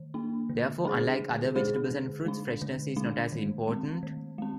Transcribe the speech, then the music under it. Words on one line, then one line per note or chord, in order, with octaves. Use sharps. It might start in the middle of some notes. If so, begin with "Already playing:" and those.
Therefore, unlike other vegetables and fruits, freshness is not as important.
Already playing: D#3
A#3 D4
D3
G#3 D4 G#4 C5
D3
G#3 D4 G#4 C5
D3
G#3 D4
D3
G#3 D4
D#3
G#3 C4
D#3
G#3 C4